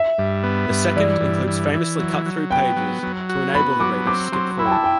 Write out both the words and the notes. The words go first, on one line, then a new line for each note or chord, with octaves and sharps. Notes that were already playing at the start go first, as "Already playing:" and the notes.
The second includes famously cut-through pages to enable the reader to skip forward.
Already playing: E5
G2
B3
G2
E3 D5
G2
E3
E3
F#3
F#3
B3 G5
F#3
F#3
F#4
B3 B5
F#3 D6
C4 D6
F#3 C6
E4 B5
G5
A5
G5